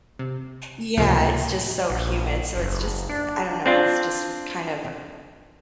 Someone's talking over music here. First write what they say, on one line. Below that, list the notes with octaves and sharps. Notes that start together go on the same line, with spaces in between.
yeah, it's just so humid, so it's just, I I don't know, it's just kind of
C3
C#2 A2 C3 F3 A#3
A#1
F#1
D4
C4 D4 F4